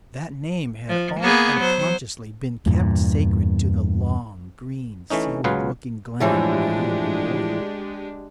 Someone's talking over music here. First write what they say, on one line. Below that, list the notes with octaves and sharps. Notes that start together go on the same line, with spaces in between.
That name had all unconsciously been kept sacred to the long, green, seaward-looking glen where he had been born.
F3
A#3 B3 G#4
F#3 C5
E2 G2 A#2
E3 A3 C#4 D#4
C#2 F#3 F4 G#4 B4 F5
A2 E3 F3 G#3 D4 G4